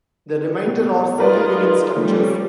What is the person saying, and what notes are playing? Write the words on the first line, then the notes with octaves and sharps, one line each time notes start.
The remainder are single-unit structures.
B2
D#4 F4 G#4 A#4 B4 D5
F3 G3 A3 C#4